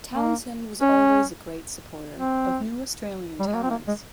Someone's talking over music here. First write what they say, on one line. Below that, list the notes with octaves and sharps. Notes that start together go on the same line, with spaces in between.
Townsend was always a great supporter of new Australian talents.
A#3
C#4
C4
G3
G#3
A#3
C4
A#3
G#3